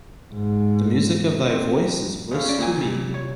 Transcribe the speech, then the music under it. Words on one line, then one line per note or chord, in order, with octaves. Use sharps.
The music of thy voice is bliss to me.
G#2
C4
D#2 C#3
C#4 D5
A#2 A#3 C4 G#5
C3 G3
C#5